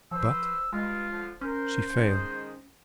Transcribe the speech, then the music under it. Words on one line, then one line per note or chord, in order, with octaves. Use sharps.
But she failed.
F3 B4 C5 E6
G2 G#3 F4
D3 F3
C#4 A#4 C5
D#3 G#3